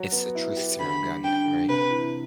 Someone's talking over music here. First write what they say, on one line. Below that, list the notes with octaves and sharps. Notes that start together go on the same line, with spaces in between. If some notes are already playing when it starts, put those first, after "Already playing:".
It's the truth serum gun, right?
Already playing: F#3
B3
E4
G4
D3 B5
G3
D4 G5
D3
C3 B4
E3